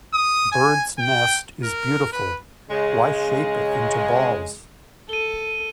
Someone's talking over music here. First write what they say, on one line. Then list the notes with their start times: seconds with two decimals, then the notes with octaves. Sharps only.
Bird's nest is beautiful -- why shape it into balls?
0.14 D#6
0.52 G#5
0.99 G5
1.64 A#4
2.12 B4
2.70 C#3 G#3
5.09 A4 D#7 G7